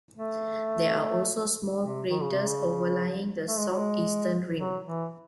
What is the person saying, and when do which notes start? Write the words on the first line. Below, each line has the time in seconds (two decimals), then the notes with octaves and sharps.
There are also small craters overlying the southeastern rim.
0.17 A3
1.83 C3
2.10 D#3
2.22 C#3
2.33 C3
2.46 C#3
3.48 A3
3.58 G#3
3.68 F#3
3.77 G#3
4.58 F#3
4.86 E3